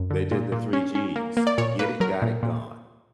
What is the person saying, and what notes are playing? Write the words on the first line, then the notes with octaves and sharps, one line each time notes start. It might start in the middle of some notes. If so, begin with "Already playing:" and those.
They did the three g's. Get it. Got it. Gone.
Already playing: F#2
D3
A#2
A#2
C#4
C#4
A#3
A#3
D5
A#2 C#5
A#3 B4
F#3 A#4
A#2
A#2